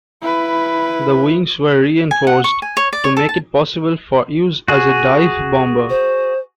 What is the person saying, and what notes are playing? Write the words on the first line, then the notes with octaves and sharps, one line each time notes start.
The wings were reinforced to make it possible for use as a dive bomber.
E4 B4
G#5
F#5
C#6
G#5
C#5
D5
C#5
A4
A5
F#4 G#4
C5